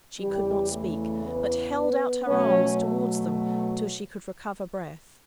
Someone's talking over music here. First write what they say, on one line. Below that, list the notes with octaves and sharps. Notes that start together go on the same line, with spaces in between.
She could not speak, but held out her arms towards them till she could recover breath.
E2 C#3 E3 G3 G4
A3 A4
B3 B4
B2 F#3 A3 C#4 C#5